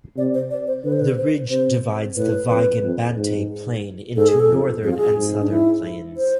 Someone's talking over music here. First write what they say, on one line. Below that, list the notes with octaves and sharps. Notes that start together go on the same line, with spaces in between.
The ridge divides the Vigan-Bantay Plain into northern and southern plains.
C3 D5
C5
D5
C5
D3 B4
C5
B4
C5
C3 C5
A2 B4
F2
F2
G#2
G#2 A4
G#4
A4
F2
F2 G#4
F4
G#4
G#2
D4
E4
C5